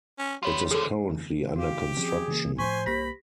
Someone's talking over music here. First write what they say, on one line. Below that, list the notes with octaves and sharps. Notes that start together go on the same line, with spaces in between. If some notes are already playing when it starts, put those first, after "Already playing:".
It is currently under construction.
C#4
G3 F4 B4 C#5 C6
D3 F3 G#4 A4
F#4 G4 F5
F3 C4 C#4 G#4
C#3 E3 A#3
A2 F3 C5 G#5 C6 C#6 B6
C2 A#3 G4 B5 A#6 B6